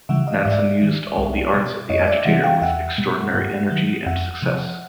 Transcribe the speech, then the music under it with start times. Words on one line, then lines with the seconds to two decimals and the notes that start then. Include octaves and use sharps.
Nansen used all the arts of the agitator with extraordinary energy and success.
0.09 C#3 E3 G3 E5 F#5
0.27 D#5 F5
0.45 G#2 D5 E5
0.82 D#3 G3
1.18 C2
1.54 B2 G3
1.90 F2 C#5 D#5
2.08 D5 E5
2.25 C3 E3 G3 E5 F#5
2.44 F5 G5
2.62 E2 E5 F#5
2.98 B2 G3
3.34 G2
3.70 D#3 F#3
4.06 F2 E5 F#5
4.42 C3 F3